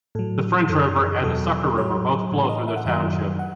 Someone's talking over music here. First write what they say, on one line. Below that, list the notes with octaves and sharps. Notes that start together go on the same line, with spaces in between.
The French River and the Sucker River both flow through the township.
A2 F#3 A4
F#2 E3 A4
G#4
E2 B2 F#3 A4
A2 F#3 C#5
A2 E3
D#5
E5
F#5
F#2 D#3 F#3 E5
F#5